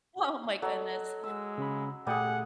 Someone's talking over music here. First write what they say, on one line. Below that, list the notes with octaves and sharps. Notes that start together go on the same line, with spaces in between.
Oh my goodness.
F#3 A4 D#5
G#3 E6
C#3 C#4 B5
A#2 G3 A3 G#4 F#5 G#5